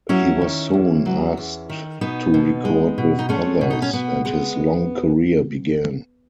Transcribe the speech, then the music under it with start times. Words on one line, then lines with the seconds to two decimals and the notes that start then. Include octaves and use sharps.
He was soon asked to record with others, and his long career began.
0.09 F#3 C#4 E4
0.42 D#3
0.73 E2
1.06 F#3
1.37 E2
1.69 D#3
2.01 B2 B3 D#4
2.34 B2
2.65 G#3
2.98 B2
3.19 D#4
3.29 G#3 A3 C#4
3.61 B2
3.70 D#4
3.82 C#4
3.93 B2 B3
4.25 G#3 B3